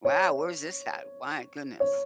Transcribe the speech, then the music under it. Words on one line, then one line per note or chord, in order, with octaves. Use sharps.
Wow, where's this at? My goodness.
C#5
C#5